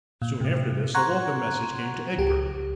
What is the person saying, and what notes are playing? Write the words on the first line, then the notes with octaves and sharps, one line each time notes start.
Soon after this a welcome message came to Egbert.
A#2
A2 C3
F#5 A#5 C6 C#6 F#6 G#6
C#2 G4